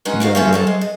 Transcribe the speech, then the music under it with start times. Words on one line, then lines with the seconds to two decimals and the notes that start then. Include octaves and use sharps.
Right, right.
0.05 G#3 C#4 D#4 F#4 B4
0.20 D#3 F#4 F5
0.35 A3 B3 C#4 F4 F#4 A4
0.53 F3 F#3 A4
0.67 G#3
0.81 D#5